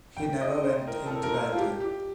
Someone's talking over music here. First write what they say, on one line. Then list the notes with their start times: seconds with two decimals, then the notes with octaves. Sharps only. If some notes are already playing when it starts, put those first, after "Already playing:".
He never went into battle.
0.17 G5
0.41 D#5
0.64 C5
0.87 A#4
1.06 A4
1.11 A#4
1.23 A#4
1.34 A4
1.52 F4
1.57 G4
1.80 G4